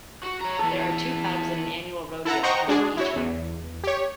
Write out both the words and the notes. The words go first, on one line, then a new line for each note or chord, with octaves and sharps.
There are two pubs and an annual rodeo held each year.
F#4
C#5 A#5
E3 B3 A4
E4 A4 F#5 A#5
C5 D#5 F#5 G5 A#5 C#6
G#3 D4 F#4 G#4
E4 F#4 C#5
E2
G4 C#5